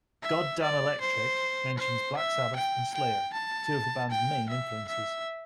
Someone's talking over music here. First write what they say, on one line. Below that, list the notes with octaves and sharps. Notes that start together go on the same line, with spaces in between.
"Goddamn Electric" mentions Black Sabbath, and Slayer, two of the band's main influences.
E5
D5
C5
C5
E5
G5
G5
A5
G5
E5
E5